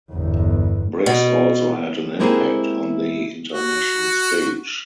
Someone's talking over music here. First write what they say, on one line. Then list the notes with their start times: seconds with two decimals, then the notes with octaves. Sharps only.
Briggs also had an impact on the international stage.
0.12 G1 E2
1.06 B2
2.20 G#3 A#3 C4 E4 G4 G#4
3.52 F#4